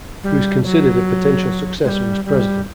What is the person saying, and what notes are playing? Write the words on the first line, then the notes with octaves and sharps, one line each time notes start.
He was considered a potential successor as President.
G3
F#3
G#3
G3
G3